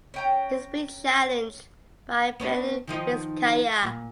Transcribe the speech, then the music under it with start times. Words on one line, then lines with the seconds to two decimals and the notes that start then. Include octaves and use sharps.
He is being challenged by Fiel Vizcaya.
0.14 C#4 G5 A#5
2.40 B3 C#4 D4
2.87 D#3 F3 D#4
3.83 A#2